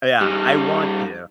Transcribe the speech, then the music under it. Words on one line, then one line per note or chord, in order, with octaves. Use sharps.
Yeah, I want to.
G3 D#4